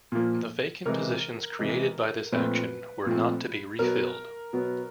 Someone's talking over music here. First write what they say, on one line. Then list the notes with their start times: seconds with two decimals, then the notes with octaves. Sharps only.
The vacant positions created by this action were not to be refilled.
0.12 A#2 F3 A#3
0.86 C3 E3 G#3 A#4
1.59 C3 E3 G#3
2.32 A#2 F3 A3 C4 B4
3.06 A#2 F3 A3 C4
3.79 B2 F#3 B3 A#4
4.53 B2 F#3 B3